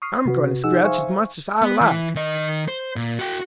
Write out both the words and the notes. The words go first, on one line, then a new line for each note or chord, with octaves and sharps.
"I'm going to scratch as much as I like!"
C#6 D#6 F6 C7
C3 F#4 B4
F3 D#4 G#4 F#5 E6
C5 E5 F5 G#5 C#6
B3
E3
D#3 D#5
C5
A#2
F#4 G5